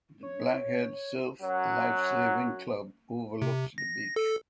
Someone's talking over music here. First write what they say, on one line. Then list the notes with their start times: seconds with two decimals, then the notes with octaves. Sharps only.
The Black Head Surf Lifesaving Club overlooks the beach.
0.23 C#5
1.42 F#2 F#3
3.42 C3
3.78 A#6
4.16 A4